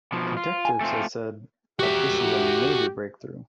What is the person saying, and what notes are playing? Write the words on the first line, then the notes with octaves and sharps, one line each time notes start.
Detectives have said that this is a "major breakthrough".
B2 F3
F4
G#5
A3 C4 F4
F#4 G4 E5